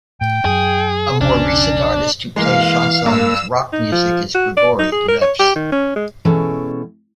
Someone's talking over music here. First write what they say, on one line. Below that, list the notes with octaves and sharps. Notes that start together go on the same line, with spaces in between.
A more recent artist who plays chanson with Rock music is Grigory Leps.
A2 G5
F#2 F#3 G#4
B1 F2 C#3 C#4 D4
E3 G#3 A#3 F5
G2 A#3 E6
D#4
F3
F#4
D5
D#4
G#4
A#4
C#5
G4
D#3
C#4
G#3
B2 E3 G#3 C#4 A4 G5